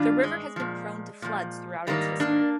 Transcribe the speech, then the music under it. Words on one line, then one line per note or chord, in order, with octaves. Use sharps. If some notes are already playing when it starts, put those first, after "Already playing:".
The river has been prone to floods throughout its history.
Already playing: G2 D#3 D4 F4
G#3
A#2 F3
A#2 F3
G#2 D#3 G3 A#3
A#3 D4